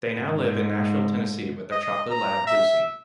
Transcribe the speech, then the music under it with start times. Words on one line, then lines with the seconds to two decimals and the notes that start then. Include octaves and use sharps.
They now live in Nashville, Tennessee with their chocolate lab, Lucy.
0.19 G#2
1.71 D#5
2.11 A#5
2.47 E5